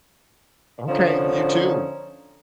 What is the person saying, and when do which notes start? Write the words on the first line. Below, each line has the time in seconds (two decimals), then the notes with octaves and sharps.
Okay, you, too.
0.88 D3 F3 C#4 D#4